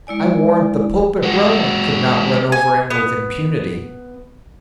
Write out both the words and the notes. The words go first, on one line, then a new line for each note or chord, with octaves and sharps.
I warrant the pope at Rome could not run over him with impunity.
G#3 E4 D5 G#5
G#3 F#4
G#5
B3